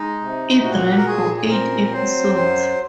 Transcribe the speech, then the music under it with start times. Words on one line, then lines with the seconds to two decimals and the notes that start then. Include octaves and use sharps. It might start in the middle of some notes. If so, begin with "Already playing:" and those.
It ran for eight episodes.
Already playing: G#3 D#4
0.21 C3
0.63 A#2 F#4
0.97 A#4
1.06 A#2 G#4
1.37 G#4
1.48 C4 A#4
1.91 F#3 C5
2.34 F#2 C5